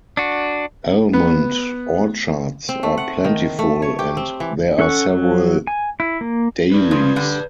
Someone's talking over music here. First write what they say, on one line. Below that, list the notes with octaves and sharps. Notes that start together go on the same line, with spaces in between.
Almond orchards are plentiful, and there are several dairies.
D4 F#4
B3
C4
A3
F#5
D#3
A3
C#5
G4
C4
E3
C#4 A4 F#5 C#6
F#3
G#5
E4
A#3
B4 D5
C#3 F3
D3 G3